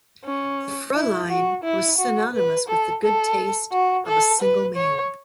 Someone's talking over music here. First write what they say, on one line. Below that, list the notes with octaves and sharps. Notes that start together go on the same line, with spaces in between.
The "Frua line" was synonymous with the good taste of a single man.
C#4
E4
F#4
E4
F#4
B4
A4
A4
F#4
A4
B4
C#5